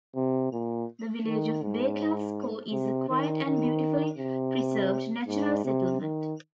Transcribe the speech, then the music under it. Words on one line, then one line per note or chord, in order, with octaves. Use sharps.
The village of Baykalsko is a quiet and beautifully preserved natural settlement.
C3
A#2
D#3
G#2
C3
D#3
D#3
C3
G#2
C3
D#3